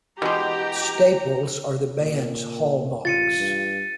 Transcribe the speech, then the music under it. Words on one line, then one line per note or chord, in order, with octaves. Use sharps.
Staples are the band's hallmarks.
B2 E3 G#3 D4 F#4 G4 A#5
A#2
A1 F4 A6 C#7 D#7
G2